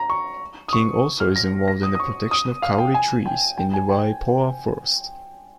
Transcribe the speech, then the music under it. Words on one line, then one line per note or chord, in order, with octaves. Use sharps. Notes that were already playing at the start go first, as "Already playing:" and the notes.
King also is involved in the protection of kauri trees in the Waipoua Forest.
Already playing: A#5
C#6
D#6
C#6
F6
A#6
A#6
D#6
D#6
C#6
D#6
F5
G5
G#5
G5
G5
G#5
G5